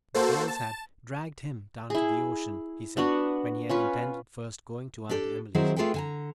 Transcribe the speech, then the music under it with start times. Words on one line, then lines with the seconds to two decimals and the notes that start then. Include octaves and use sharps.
The girls had "dragged him" down to the ocean, he said, when he had intended first going to Aunt Emily's.
0.14 A#3 F#4 A4 C5
0.48 A5
1.90 E4 G#4
2.97 B3 D4 F#4
3.69 C#4 F4 B4
5.10 D4 G4 A4 C5 D5
5.55 D#3 F#3 C4 E4 G#4 C5
5.76 A3 F4 G#4 A4 B4 G5
5.94 D3 G#5 A#5